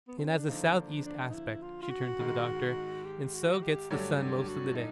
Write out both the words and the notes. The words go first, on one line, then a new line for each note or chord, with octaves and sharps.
It has a south-east aspect"--she turned to the doctor--"and so gets the sun most of the day.
B3
C4
C#4
D4
D3 F3 A#3 D#4
D4
D4
D#4
E4
F4
F4
F#4
G#2 D#3 G#3
G4
F#4
G4
G2 D3 F#3 A3 G4
F#4
G4
F#4
D#4